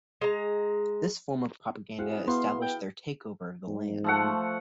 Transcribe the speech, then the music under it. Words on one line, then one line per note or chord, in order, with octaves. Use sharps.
This form of propaganda established their takeover of the land.
G#3 A#5
C4 E4 F#4 G#4 F5 F#5
B3 E4 F#4 F5 C6
G5
G#2
F3 A3 F#5